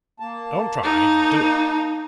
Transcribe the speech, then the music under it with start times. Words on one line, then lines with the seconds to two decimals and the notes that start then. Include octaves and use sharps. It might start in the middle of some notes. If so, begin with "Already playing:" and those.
"Don't try--do it."
0.20 A#3 A5
0.83 D#4